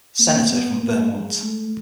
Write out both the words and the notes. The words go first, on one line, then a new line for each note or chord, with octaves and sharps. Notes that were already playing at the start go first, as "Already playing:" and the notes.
Senator from Vermont.
A#3
B3
A#3
G#3
A3